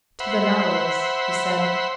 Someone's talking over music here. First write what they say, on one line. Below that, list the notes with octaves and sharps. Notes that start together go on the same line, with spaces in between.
"To the Nautilus," he said.
C5 E5 F#5 B5